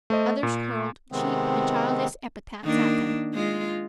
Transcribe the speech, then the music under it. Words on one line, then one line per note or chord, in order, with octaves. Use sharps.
Others hurled cheap and childish epithets at them.
A3 C5 D#5
A#2
C3 D#3 G#3 B3 C4
D#3 A#3 D4
G#3 F4